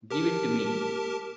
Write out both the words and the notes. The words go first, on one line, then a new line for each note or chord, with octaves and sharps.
Give it to me!
G4 A#4 A5